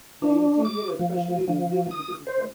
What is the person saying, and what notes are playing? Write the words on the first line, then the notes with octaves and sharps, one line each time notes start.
The interior, especially, received criticism.
D4
D6
F3
F3
D#6
C5